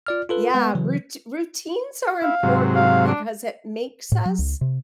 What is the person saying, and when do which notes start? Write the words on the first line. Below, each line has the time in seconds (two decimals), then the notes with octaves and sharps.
Yeah, rout routines are important because it makes us,
0.07 F4 D5 F6
0.29 F4 A4 B4
0.54 G#3 B3 B4 F#5
0.75 C#3 E3 F#3
2.22 E4 F5
2.43 G#2 C3 F#3
2.75 F5
3.07 D4
4.12 A2
4.25 F#3
4.39 C#2
4.61 C3